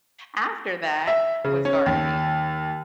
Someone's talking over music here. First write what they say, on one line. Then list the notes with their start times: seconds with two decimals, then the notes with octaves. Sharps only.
after that was gardening,
1.07 E5
1.44 C#3
1.65 C#4
1.86 D#2